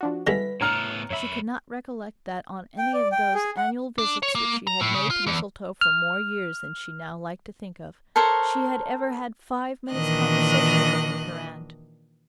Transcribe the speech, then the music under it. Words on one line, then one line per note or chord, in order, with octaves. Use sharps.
She could not recollect that, on any of those annual visits which she had made to Mistletoe for more years than she now liked to think of, she had ever had five minutes' conversation alone with her aunt.
F3 D4 F#4
D3 G3 G#3 E4 B4 A#6 B6
A2 B3 C#5 A#5 F6 C#7 F7
F#2 C#5 E5 B5
G5
D5
G5
G#4
F#5
D4
C#5
A#3
A#5
A2
C#3
F4
E2
F6
A4 A#4 C5 C#5
A#2 D#3 E3 D4 D#5 F#6